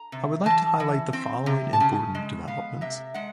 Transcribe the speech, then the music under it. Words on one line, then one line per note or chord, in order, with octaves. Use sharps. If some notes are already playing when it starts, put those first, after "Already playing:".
I would like to highlight the following important developments.
Already playing: A#5
C3
E3 A5
E3
C4
C3
A5
C#3 G#5
G#3
B3 F5
C3 E5
G#3 F#5